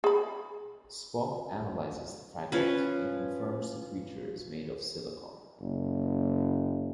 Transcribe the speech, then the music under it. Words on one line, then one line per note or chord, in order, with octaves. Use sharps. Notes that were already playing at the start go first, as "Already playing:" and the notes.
Spock analyzes the fragment, and confirms the creature is made of silicon.
G#4 B5
F3 C#4 B4
F#1